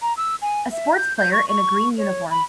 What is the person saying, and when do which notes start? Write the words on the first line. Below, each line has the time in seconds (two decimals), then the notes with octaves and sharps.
A sports player in a green uniform.
0.02 A#5
0.17 E6
0.42 G#5
0.72 E5
0.97 G6
1.17 G6
1.33 C#6
1.49 C#6
1.98 C#5
2.31 B5